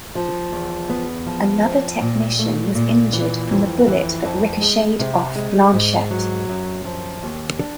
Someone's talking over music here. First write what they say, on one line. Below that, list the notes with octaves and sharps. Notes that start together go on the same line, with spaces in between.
Another technician was injured from the bullet that ricocheted off Blanchette.
F3
E2
B3
F3
C4
A#2
A3
A#2
E3
F2
E3
F2
G#3
C3
G#3
G#2
F#3
F#2
F3
D#2
D4